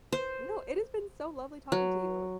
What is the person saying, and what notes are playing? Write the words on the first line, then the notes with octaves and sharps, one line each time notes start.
No. It has been so lovely talking to you.
C5
F#3